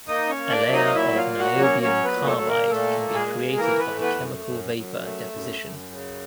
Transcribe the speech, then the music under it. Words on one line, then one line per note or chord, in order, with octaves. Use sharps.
A layer of niobium carbide can be created by chemical vapor deposition.
A#3 D#4 D#5
C#4 C#5
A#3
D4 D5
F#3
D#4 D#5
F5
A#2 E4 E5
F4 F5
A#3
F#4 F#5
F#3
C#4 C#5
F#3 C#4 C#5
B3 B4
A#2
A3 A4
A#2
A#3 A#4
A#2 A3 A4
A#3
G#3 G#4
A#3
E3 A#3 A#4
B3 B4
A3
B3 B4
F#2
F#2
F#2
A3
F#2
F#2
C#3